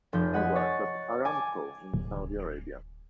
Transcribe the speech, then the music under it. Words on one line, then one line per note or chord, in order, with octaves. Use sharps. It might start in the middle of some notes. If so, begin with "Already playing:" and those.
He works at Aramco in Saudi Arabia.
F1 F3 G6
D#5 F#5 G#5 B5
C#5 A6
G#5 A5 D6
D1